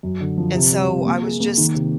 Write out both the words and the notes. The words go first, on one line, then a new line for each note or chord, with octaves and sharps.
and so I was just
F#2
D3
F3
C3
G3
C3
A#3
G#4
A#3
D#3
C3